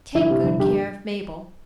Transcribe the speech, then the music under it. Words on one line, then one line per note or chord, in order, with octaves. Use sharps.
Take good care of Mabel.
G1 E4
C3
G1
G1 G4